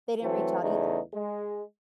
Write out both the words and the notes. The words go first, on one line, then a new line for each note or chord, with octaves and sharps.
they didn't reach out either.
E3 F#3 A3 C4
E2 C#3 A3 D#4
G#3